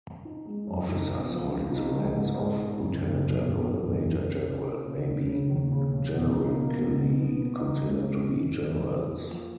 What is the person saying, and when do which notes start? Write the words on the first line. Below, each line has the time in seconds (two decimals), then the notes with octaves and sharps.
Officers holding the ranks of lieutenant-general, major-general may be generically considered to be generals.
0.25 D#4
0.45 G#3
0.67 F#2
0.89 D#4
1.09 B3
1.30 F3
1.51 F3
1.72 D#4
1.93 G#3
2.14 G#2
2.35 G#3
2.56 G#2
2.77 F#2
2.98 C#3
3.19 F#2
3.40 G#1
3.61 F#2
3.82 F#2
4.03 D#3
4.24 D#3
4.45 C#4
4.66 A#3
4.87 C#3
5.09 C#3
5.29 C#3
5.50 D#2
5.72 C#3
5.92 C#3
6.13 B2
6.34 D#4
6.55 A#3
6.75 B2
6.97 B2
7.18 B3
7.39 B3
7.60 D#4
7.80 G#3
8.03 G#3
8.22 G#2
8.45 G#1
8.65 F2
8.86 F2
9.07 A#3
9.28 F3